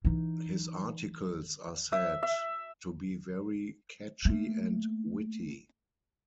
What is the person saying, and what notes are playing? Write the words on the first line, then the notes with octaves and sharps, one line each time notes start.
His articles are said to be very catchy and witty.
E3 D#4
E5
E5
A3 A#3